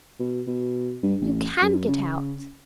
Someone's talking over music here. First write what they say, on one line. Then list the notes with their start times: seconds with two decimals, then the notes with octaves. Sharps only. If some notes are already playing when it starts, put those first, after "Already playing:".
"You can get out!"
0.20 B2
0.47 B2
1.03 G2
1.21 A1
1.62 F#2
1.88 C#3